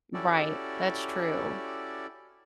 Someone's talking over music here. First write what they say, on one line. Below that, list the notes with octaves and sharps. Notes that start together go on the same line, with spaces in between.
Right, that's true.
C#4 E4 F#4 G4 A4 D5